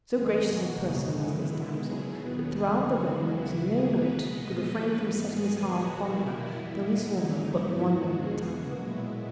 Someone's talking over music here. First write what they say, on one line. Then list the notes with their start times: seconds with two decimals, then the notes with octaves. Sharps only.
So gracious of person was this damsel, that throughout the realm there was no knight could refrain from setting his heart upon her, though he saw her but one only time.
0.11 F#2 D#3 G#3 G#4
0.46 E2 B2 A#3 F#4
0.81 F#2 C#3 G#3 B3 D#4
1.16 F#2 D#3 G#3 E4
1.51 B2 G#3 B3 E4
1.86 B2 F#3 B3 G#4
2.21 D#2 D#3 F#3 B3
2.56 F#2 C#3 E3 G#4
2.91 F#2 C#3 G#3 B3 F#4
3.26 D#2 C#3 F#3 B3 E4
3.61 D#2 C#3 F#3 A#3 G#4
3.95 B2 G#3 B3 B4
4.31 A#2 G#3 B3 D#5
4.65 F#2 E3 A#3 B4
5.00 G#2 E3 B3
5.35 E2 D#3 G#3 B3 G#4
5.70 A#2 G#3 B3 F#4
6.05 B2 A#3 E4
6.40 F#2 E3 B3 E4
6.75 A#2 G#3 B3 E4
7.10 F#2 C#3 E3 G#3 D#4
7.45 G#2 F#3 B3 E4
7.80 F#2 D#3 G#3 B3 F#4
8.15 E2 B2 G#3 B3 G#4
8.50 B2 F#3 A#3 F#4
8.85 A#2 G#3 B3 E4